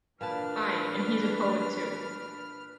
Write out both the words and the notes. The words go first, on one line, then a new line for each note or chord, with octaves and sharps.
Ay, and he's a poet too.
A#2 E3 D4 B4 A5 F6